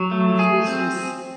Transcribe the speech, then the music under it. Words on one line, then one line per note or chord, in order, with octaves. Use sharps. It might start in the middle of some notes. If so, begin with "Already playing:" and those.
you know, she's just
Already playing: F#3
A3
G#4
C4